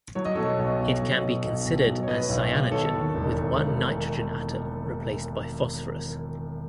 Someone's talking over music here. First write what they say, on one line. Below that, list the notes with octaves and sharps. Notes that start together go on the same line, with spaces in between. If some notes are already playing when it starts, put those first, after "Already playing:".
It can be considered as cyanogen with one nitrogen atom replaced by phosphorus.
F#3 C#5
D#5
B2 A4 C#5
B1
B1
F#3
B2
B1
B1
F#3
C#5
B2 B4 D#5
B1
B1
D#3 A4 C#5
D#2
E1